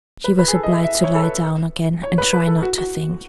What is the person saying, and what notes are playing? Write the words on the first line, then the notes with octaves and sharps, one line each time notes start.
She was obliged to lie down again, and try not to think.
B4
B4
G#4
A4
D#5
E5
E5
C#5
A4
B4
C#5
B4
B4
A4
F#4
F#4